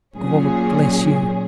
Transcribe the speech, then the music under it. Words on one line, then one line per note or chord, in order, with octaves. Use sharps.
God bless you!'
A#2 F#3 C#4 G#4